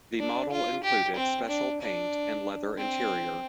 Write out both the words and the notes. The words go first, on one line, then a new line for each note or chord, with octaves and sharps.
The model included special paint and leather interior.
D4
F4
G4
C4
D4
D4
C4